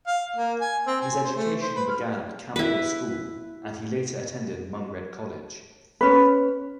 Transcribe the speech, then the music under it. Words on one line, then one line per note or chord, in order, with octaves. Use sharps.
His education began at Camphill school and he later attended Mungret College.
F5
A#3
G#5
C4
G#5
C5
A3
C5
B4
F6
E4 B4
C#4 B4